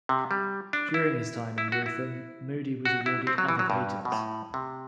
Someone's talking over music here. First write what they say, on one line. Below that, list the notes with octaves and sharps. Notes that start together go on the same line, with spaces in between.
During his time in Waltham, Moody was awarded other patents.
C3
G3
D4
E4
E4
F#4
E4
F#4
E4
C4
F#3
E3
F#3
G2
B2
A2
C3